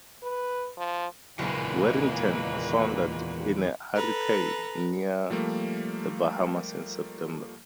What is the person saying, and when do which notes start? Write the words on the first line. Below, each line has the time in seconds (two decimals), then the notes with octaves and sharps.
"Warrington" foundered in a hurricane near the Bahamas in September.
0.23 B4
0.77 F3
1.39 F#1 E2 A#2 D#3 G#3 A#3 B4
3.95 A4 B4 A#5
5.30 F3 G3 A3 A#3